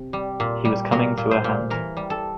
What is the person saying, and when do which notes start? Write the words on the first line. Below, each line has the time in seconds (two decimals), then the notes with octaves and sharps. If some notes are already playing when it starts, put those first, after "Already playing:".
He was coming to her hand.
Already playing: C3
0.13 G3
0.40 A#2
0.65 G3
0.92 A#2 A#4
1.18 A#2
1.31 C5
1.44 A#2
1.70 E3 A#4
1.97 G3
2.10 A4